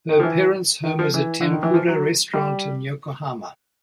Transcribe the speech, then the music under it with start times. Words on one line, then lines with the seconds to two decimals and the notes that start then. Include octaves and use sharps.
Her parents' home is a tempura restaurant in Yokohama.
0.09 D#3
0.20 F3
0.23 E3
0.84 D#3
0.99 F3
1.14 E3
1.41 D3
1.51 D#3
1.63 E3
1.74 F3
1.88 F#3
2.34 G3